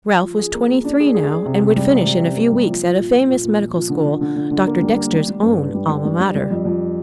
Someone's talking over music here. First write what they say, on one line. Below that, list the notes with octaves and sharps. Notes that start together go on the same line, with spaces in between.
Ralph was twenty-three now and would finish in a few weeks at a famous medical school--Doctor Dexter's own alma mater.
F3
G#4
A#3
A#3
D4
G#4
G#4
G#4
C3
C3
G3
C3
G3
C3
A#3
G3
F3
F3
A#2
A#2
A#2
A#2
F3
F3
D3
D3
D3
D3
D3
A#3
G3
A#3
G3
G3
G2
G2
G3
G3
G3
G3
G3
F2
F2